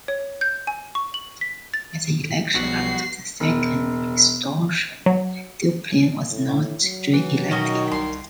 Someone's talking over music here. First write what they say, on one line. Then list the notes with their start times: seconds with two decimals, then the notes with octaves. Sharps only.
At the election after the second restoration Dupin was not reelected.
0.08 C#5
0.41 G6
0.67 G#5
0.95 C#6
1.14 F#7
1.41 B6
1.74 A6
2.55 B1 F3 G3 B3 F#4 C7
3.40 E1
5.06 F#3
6.30 A2
6.82 F#3
7.13 E3
7.51 B2 D#3 C#4 F#4 D#5
7.92 C2 C6